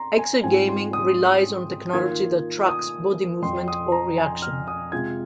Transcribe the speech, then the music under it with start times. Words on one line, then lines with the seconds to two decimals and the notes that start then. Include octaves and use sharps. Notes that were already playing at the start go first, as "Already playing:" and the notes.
Exergaming relies on technology that tracks body movement or reaction.
Already playing: C4 A#5 C6
0.19 G#5
0.44 G#2 G#3 C4 F4 G#5
0.69 C6
0.93 D#6
1.93 D#3 A#3 F4 G#6
2.69 D#6
3.42 F2 F3 C4 C6
3.68 D#6
3.92 A#5
4.18 G#5
4.42 F6
4.68 D#6
4.92 C3 G#3 F4 G#6